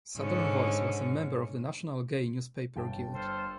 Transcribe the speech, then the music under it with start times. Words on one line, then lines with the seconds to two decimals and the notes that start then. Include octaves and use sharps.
"Southern Voice" was a member of the National Gay Newspaper Guild.
0.17 G#2 D3 C#4
2.76 G1 G5 A5
3.13 F4 A4 C5